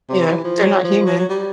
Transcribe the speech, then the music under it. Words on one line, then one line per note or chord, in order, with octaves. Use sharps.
Yeah, they're not human.
C3
E3
F3
F#3
F3
F#3
F#3
G3